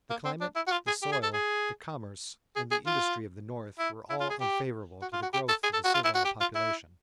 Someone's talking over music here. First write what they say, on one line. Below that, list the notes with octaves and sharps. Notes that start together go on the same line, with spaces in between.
The climate, the soil, the commerce, and the industry of the North were all unfavorable to the growth of a servile population.
A#3
C4
D4
E4
F#4
F4
G#4
G4
G#4
A4
G#4
G#4
G#4
F4
E4
E4
F4
G#4
G4
F#4
F4
F#4
G4
A4
G#4
A4
F#4
F4
E4
F#4
G4
F4
E4